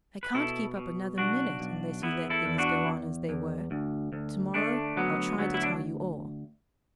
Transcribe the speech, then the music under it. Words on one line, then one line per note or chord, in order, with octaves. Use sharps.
I can't keep up another minute unless you let things go on as they were. Tomorrow I'll try to tell you all.
B4
B2 E4 A4
B2
B1 D4 F#4
B1
E2 B3 E4
E4 A4
E2
D4 F#4
E2
E2
D2
D2
D2 A3 D4
D2 F#3 B3
D2 F#3 B3
E4
D4